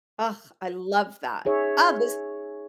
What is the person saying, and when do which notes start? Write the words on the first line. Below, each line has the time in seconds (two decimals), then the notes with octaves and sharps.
Ugh, I love that. Oh, this
1.45 D#4 G#4 C#5 E5